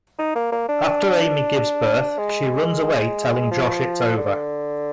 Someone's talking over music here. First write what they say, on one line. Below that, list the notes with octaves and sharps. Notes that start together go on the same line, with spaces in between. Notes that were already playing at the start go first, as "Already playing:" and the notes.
After Amy gives birth she runs away telling Josh its over.
D#4
A#3
A#3
D4
D4
G#3
F3
D3